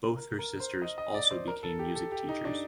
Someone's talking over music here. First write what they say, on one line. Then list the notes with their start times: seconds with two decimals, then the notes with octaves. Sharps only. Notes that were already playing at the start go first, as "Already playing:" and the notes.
Both her sisters also became music teachers.
0.17 A#4
0.39 A#4
0.60 C5
0.82 D#5
0.98 D#5
1.14 D5
1.31 C5
1.48 A#4
1.63 A4
1.79 G4
1.96 A4
2.12 G4
2.29 D#4
2.45 D4